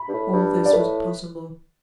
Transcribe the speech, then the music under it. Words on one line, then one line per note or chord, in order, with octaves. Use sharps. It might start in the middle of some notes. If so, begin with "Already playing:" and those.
All this was possible.
Already playing: B5
G2
A2
G2
D5
A2 B4